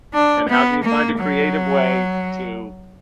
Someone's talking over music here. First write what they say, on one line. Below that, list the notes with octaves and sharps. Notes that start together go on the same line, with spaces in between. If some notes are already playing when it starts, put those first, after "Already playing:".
and how can you find a creative way to
D4
B3
A#3
F#3